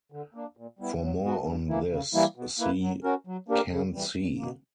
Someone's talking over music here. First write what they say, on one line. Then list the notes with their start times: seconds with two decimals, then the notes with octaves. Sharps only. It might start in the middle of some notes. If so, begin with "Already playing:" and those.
For more on this, see "can see".
0.12 D3
0.34 A#3 D4
0.57 A#2
0.79 G3 B3 E4
1.01 F#3
1.24 B3 F#4
1.46 G2
1.69 E3 A#3 E4
1.91 C#3
2.14 E3 G3 A#3 E4
2.36 B2
2.59 A#3 E4 B4
2.82 F#3
3.04 C#4 F#4 A#4
3.27 F#3
3.49 A#3 D4 G4 A#4
3.72 C#3
3.94 E3 G3
4.17 E2
4.39 B2 A#3